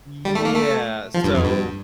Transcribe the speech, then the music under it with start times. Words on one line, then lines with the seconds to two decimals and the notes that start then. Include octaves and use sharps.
Yeah, so
0.25 G3
0.35 A3
0.45 A#3
0.55 A3
1.14 F3
1.24 G2
1.35 F2
1.44 G2